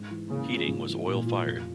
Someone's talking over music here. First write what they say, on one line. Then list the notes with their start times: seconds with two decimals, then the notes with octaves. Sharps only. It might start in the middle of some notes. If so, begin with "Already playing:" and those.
Heating was oil fired.
Already playing: G#2
0.11 E3
0.29 C#3 A#3
0.49 F4
0.68 G#2
0.87 E3
1.07 A#2 A#3
1.26 F4
1.45 F1